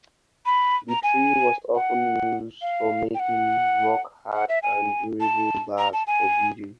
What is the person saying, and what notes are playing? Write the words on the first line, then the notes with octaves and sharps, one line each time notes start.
The tree was often used for making rock-hard and durable bars for building.
B5
A#5
G#5
F#5
F5
G5
F#5
F#5
E5
G#5
A5
A#5
A5
G#5